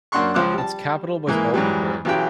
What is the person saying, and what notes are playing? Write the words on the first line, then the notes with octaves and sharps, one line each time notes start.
Its capital was Altenburg.
F#2 A#3 D4 F#5 C6 C#6
C#2 F3 C5 D6 F#6
G3 A5
G#2 E3 A#3
G#2 E3 F#3 G3
B1 E3 F#3 G4 G#4 G5